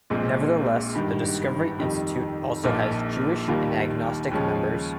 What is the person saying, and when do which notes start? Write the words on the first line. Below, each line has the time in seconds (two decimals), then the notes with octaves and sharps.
Nevertheless, the Discovery Institute also has Jewish and agnostic members.
0.10 A#1 A#2 G#3 C4
0.95 G#1 G2 D#3 G3
1.79 F2 D#3 G3
2.63 A#1 A#2 F3 A#3 D#4
3.48 D#2 D#3 G3 A#3 F4
4.31 D#2 C#3 F3 G#3 C#4